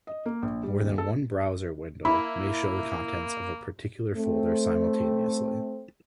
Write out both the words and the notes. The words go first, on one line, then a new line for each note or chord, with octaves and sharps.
More than one browser window may show the contents of a particular folder simultaneously.
D#5
A#3
A#1
G3
D#1
A4
A#3 E4 B5
A3 C4